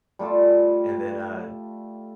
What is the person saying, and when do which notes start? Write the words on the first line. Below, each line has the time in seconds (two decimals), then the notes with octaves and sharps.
and then, uh,
0.19 G3 A3 F4 A4